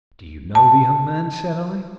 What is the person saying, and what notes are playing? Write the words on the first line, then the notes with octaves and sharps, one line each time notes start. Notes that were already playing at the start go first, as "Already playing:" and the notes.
"Do you know the young man?" said I.
A5